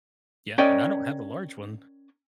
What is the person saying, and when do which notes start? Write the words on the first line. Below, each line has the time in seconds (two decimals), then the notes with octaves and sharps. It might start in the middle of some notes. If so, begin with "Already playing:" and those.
Yeah, and I don't have the large one.
0.58 C#4 A#4 D5 D#5 G5